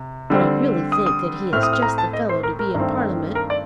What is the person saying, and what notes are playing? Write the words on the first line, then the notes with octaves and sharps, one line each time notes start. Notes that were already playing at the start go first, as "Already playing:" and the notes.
But I really think that he is just the fellow to be in Parliament.
Already playing: C3
D3 G3 C4
D#6
D#6
A2 A3 C4 F6
D#6
F6
A#5
A5
D#5
C5
A#4
A#4
G2 D#3 A3 C4
A#4
D5